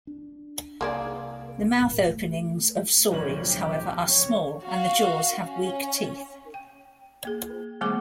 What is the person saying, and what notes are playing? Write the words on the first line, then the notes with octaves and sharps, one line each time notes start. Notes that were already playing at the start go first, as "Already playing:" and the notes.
The mouth openings of sauries, however, are small and the jaws have weak teeth.
D4
C2 A#3 G#4 D5
E1 A1 G#2
A3
D1 B1 D3 F3 G3 C#5 F#7
G4
C#5
F#4 F5
C#4
G5
A#3 G#4
D#3 G3 A3 B3 G#4 D6